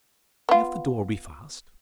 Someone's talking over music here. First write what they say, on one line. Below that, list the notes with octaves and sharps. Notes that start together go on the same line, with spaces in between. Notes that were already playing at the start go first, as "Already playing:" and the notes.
See if the door be fast.
B3 F4